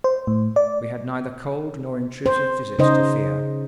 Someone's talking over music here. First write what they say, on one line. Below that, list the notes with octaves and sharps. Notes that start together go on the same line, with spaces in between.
We had neither cold nor intrusive visits to fear.
C5
A2
D5
C5
C#3 D#4 C5 D#5